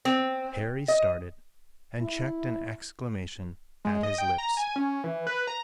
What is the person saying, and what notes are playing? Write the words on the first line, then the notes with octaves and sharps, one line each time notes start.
Harry started and checked an exclamation at his lips.
C4
D#5
E4
G#3
D#5
G5
A#5
G#5
C#4
E3
B4
A#5